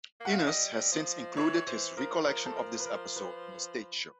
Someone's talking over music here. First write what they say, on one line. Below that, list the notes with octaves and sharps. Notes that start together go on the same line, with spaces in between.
Innes has since included his recollection of this episode in his stage show.
A#3
F#5
A3 F5
G#3 E5
G3 D#5
F3
E3 C#5
C#5
E3 C5
F3 A#4
A#4
A4
A#4
B4
A#4
B4